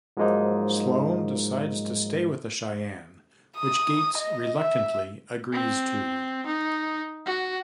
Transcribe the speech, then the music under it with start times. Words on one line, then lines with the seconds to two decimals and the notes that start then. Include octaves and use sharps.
Sloan decides to stay with the Cheyenne, which Gates reluctantly agrees to.
0.17 G#2 F3 F#3 G#3 A#3 D#4
3.57 D#6
4.18 D#5
4.57 E5
5.53 C4
6.46 D#4
7.26 F#4